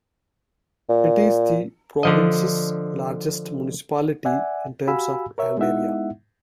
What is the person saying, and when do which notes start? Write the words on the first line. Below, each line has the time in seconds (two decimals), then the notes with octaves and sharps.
It is the province's largest municipality in terms of land area.
0.89 A#2
2.03 D3 F3 D#5
4.25 D5 E5 F#5 G#5
4.87 F#4 G4 F5 G#5 B5 E6
5.38 A#4 C#5 E5
5.57 G#3 B3 D#4 E4 E5 F#5